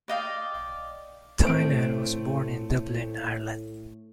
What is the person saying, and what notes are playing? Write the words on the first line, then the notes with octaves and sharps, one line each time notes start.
Tynan was born in Dublin, Ireland.
D5 D#5 F5 G5
A2 A3 C4 D7